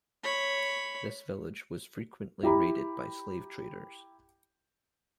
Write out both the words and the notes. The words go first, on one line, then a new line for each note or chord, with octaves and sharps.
This village was frequently raided by slave traders.
C#5 B5
E4 G4 A#5 B5